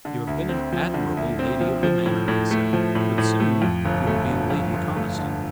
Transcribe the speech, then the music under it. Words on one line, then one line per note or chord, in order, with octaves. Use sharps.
"You have been an admirable Lady of the Manor," he said. "But soon you will be Lady Conniston."
D3
D2
C4
F3
D3
D2
C4
F3
F3
A2
A2
A3
F3
A2
A2
A3
F2
G1
A3
D3
F2
G1
A3
D3